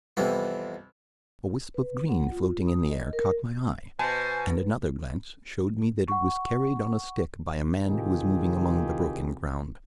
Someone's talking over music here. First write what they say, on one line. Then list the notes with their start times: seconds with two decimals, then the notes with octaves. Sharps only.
A wisp of green floating in the air caught my eye, and another glance showed me that it was carried on a stick by a man who was moving among the broken ground.
0.17 C2 F2 C3 E3 B3
1.74 B4
2.09 F#5
2.31 F4
2.67 D#6
2.89 D#5
3.13 A#4
3.99 B2 C5 G#5 A5
6.08 F#5 C#6
7.88 C3 D#3 E3 F4 G4 G#4